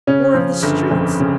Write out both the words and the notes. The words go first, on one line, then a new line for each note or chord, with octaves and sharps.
War of the streets?
C#3 C#4
F3
G1
F2
C#3